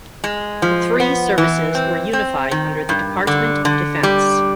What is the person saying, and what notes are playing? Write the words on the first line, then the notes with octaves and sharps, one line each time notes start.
The three services were unified under the Department of Defence.
G#3
F3
B3
E3
C4
C4
D#3
G2
D3
D3
G3